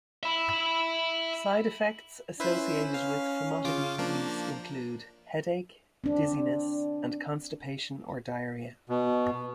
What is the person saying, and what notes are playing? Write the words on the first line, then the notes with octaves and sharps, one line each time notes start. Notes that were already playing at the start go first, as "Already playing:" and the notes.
Side effects associated with famotidine use include headache, dizziness, and constipation or diarrhea.
E5 B5
C#4 E4 B4 C5
F5
C#3 F4 D6
F3 A#3 D4
C4 D4
B2